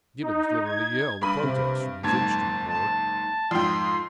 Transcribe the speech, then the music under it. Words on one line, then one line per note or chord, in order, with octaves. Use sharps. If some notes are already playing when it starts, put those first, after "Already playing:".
Gibbons literally yelled a protest from his instrument board.
D#4
G#6
G2 B5 D#7
C3
F#1 G#2 A5 G#6
A5
F2 G#2 G5 C6